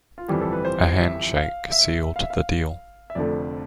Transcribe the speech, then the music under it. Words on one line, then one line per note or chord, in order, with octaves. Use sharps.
A handshake sealed the deal.
F4
G1 F2 E3 G3 G4
A4
B4
C5
E5
F5
E5
F5
E5
F5
E5
F1 F2 D3 A3 D5